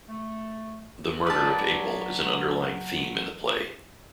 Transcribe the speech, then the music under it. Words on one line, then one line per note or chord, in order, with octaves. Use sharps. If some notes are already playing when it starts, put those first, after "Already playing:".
The murder of Abel is an underlying theme in the play.
A3
F#3 B4 D5 A5